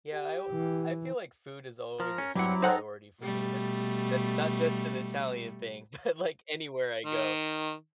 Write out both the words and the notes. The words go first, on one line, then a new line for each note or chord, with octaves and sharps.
Yeah, I alw I feel like food is always a huge priority for me, that's that's not just an Italian thing but, like, anywhere I go,
G4
E3
F3 A#4 A#5
C#4
G2 F#3 C4 E4 G4 F#5
D#4 A4 C5 F#5 G5 A#5
B2 G3 A3
D#3